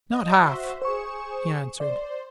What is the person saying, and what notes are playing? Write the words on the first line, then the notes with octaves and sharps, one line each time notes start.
"Not half!" he answered.
D#5
F#4 C5 E5
G#4 C5 C#6 C#7 E7
C5 D5